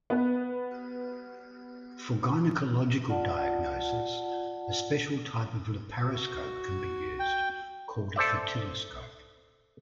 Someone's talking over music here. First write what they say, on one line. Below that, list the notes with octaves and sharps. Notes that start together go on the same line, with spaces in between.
For gynecological diagnosis, a special type of laparoscope can be used, called a fertiloscope.
B3 B4
F4 D5 F#5 A5
F#4
G5
A4 C5 D5 E5